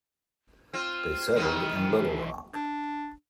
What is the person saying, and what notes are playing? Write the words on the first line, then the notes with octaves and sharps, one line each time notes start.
They settled in Little Rock.
C4 F4 F6
D#3 E3 B3 C4 D#5
D4